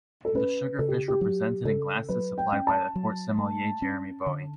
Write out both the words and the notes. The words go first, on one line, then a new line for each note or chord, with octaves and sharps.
The sugar fish were presented in glasses supplied by the court sommelier Jerome Bowie.
A4
C#4 B4
C#3 A4
G4
G4
F#3 G4
C#3 A4
F#3 B4
G5
C#4
A5
F#3
A3
C#4
D3